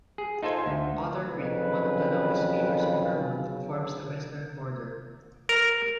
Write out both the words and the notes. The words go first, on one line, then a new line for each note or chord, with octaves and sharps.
Otter Creek, one of the longest rivers in Vermont, forms the western border.
G#4
D#4 F4 A4 C5 G#5
D2
B1 F2 C#3 B4
A#4